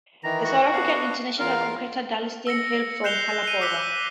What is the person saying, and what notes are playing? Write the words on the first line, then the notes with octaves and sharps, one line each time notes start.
The South African international cricketer Dale Steyn hails from Phalaborwa.
D#3 E3 A#5
F#4
B3 D4 F5
E2 F4 A#4 F5
E6 A#6 C#7
F#6 G6 C7 E7 F7 G7
C7 D#7
D6 E6 F#6 B6 G7